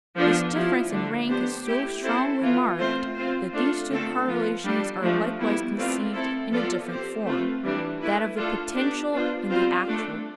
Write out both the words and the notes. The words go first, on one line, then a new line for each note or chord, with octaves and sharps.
This difference in rank is so strongly marked, that these two correlations are likewise conceived in a different form--that of the potential and the actual.
F3 B3 D4 F4 A4
F3 A3 E4 G4
D3 A3 D4
B3 D4 G4 C5
A3 E4 G4
C4 E4 A4 C5
E3 B3 F4
A3 C4 F4 C5
C4 F4 C5
A3 D4 F4 A4
D3 A3 C4 F4 A4
F3 B3 F4
G3 D4 A4
F3 A3 D4
G3 B3 E4
A3 C4 F4 B4 D5
C4 E4 A4
F3 B3 F4 A4 D5
C4 G4 C5
A3 C4 F4 B4
E3 G3 D4
A3 E4 B4
A3 D4 F4 A4
B3 D4 G4
B3 D4 F4 C5
G3 C4 F4 C5
A3 D4 A4